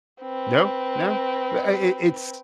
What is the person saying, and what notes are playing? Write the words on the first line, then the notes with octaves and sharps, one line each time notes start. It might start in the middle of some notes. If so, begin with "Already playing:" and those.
No, no. But, I I it it's
C4 B4